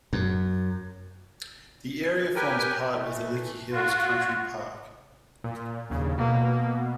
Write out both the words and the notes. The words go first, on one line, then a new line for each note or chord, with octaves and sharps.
The area forms part of the Lickey Hills Country Park.
F#2
G4 A#4 B4 G5 G#5
E3 A3
F4 F#4
A#2
A#1 D#2 C#3
B2 A#3